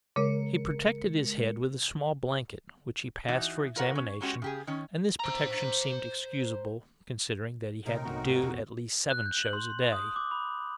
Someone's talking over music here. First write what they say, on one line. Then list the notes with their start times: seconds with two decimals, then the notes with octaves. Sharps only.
He protected his head with a small blanket, which he passed for examination, and this protection seemed excusable, considering that he had to do at least seven shows a day.
0.16 C#3 G#3 A#4 C#5 C#7
3.28 E3 D#4 F#4
3.76 F4 A#4 C#5 F#5
3.95 C#4
4.21 F#3 G#3 C#4 F#4 G4
4.42 C#3 G4 G#4
4.67 D#3 C#4
5.20 C5 A#5
7.86 D#2 A2 C3 D#4 A#4
8.05 C2 F2 B3 F#4
8.29 G#2
8.42 A1 E2 B2 C4
9.10 F#6
9.26 G6
9.38 F#7
9.53 C6
9.70 C6
9.92 D#6
10.16 D6
10.31 B5